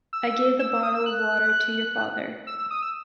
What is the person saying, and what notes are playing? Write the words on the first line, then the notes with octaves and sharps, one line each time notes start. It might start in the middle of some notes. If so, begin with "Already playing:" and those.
I gave the bottle of water to your father.
E6
E6
E6
D#6
E6
F#6
E6
E6
D#6
E6